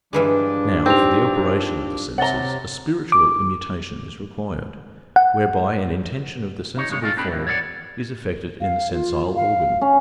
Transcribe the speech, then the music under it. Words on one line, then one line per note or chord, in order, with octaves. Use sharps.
Now, for the operation of the senses, a spiritual immutation is required, whereby an intention of the sensible form is effected in the sensile organ.
G2 E3 F3 G#3 D4
C4 D#4 G4 F7
C3 C#5 F#5 A#5 A6 G7
D6
F#5
D#4 C#5
G2 B2 G#3 C#5
G#3 A3 F4
C4 D4 G#4 B4 G5 B5
F2 A2 E3
C#5 D5 E5 F#5
F5
F4
F5
C#4